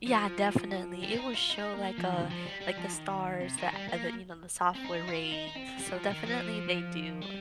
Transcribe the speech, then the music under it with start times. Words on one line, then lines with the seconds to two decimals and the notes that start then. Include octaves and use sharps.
Yeah, definitely. It will show, like, uh like, the stars that that you know, the software ratings, so definitely, they do,
0.07 F3
1.02 G3
1.13 C4
1.19 D#4
1.34 F4
1.50 D#4
1.74 A#3
1.98 F3
2.13 D#3
2.30 F3
2.46 G3
2.61 G3
2.77 F3
2.93 D#3
3.40 C3
3.57 D#3
3.73 G3
3.88 A#3
4.75 C4
4.84 D#4
5.07 F4
5.32 D#4
5.47 D#4
5.55 C4
5.79 G3
5.95 F3
6.11 D#3
6.26 F3
7.21 G3